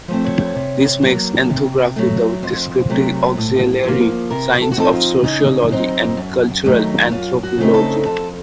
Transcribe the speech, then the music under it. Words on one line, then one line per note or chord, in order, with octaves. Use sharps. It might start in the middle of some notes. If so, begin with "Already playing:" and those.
This makes ethnography the descriptive auxiliary science of sociology and cultural anthropology.
F3 A3 C4
C#5
C3
F#3 A#3
C3
F#3 A3
F2 C5
C3 F#3 A3
A2
F3 A#3
C3 A#4
A4
F#4
F3 C4 D#4 A4
F4
C#3 D#4
F#3 C4 D#4
F#2
D#3 F#3 A3 D#4
F#2 F4
F#4
C#3 A3 C4 D#4
A4
F2 A4